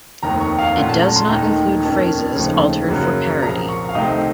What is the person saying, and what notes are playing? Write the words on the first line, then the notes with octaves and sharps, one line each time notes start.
It does not include phrases altered for parody.
F1 D#2 D#3 A#5
C#6
F5
A#2 A3 C#4 F4 F#5
A5
A#5
C6
D#2 D#3 A3 D#4 A#5
F2 D#3 A#3 C#4 A5
D#2 C#3 F3 A3 D#4
F#2 C#3 F#3 A#3
C2 A#2 F3 A#3 A#5
C#6
F5
C2 C3 D#3 A3 C4 D#5